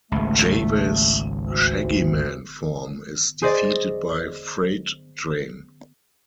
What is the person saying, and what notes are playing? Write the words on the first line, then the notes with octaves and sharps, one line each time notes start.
Java's Shaggy Man form is defeated by Freight Train.
G#1 C#2 A3
D2
G#4 C5 D5 D#5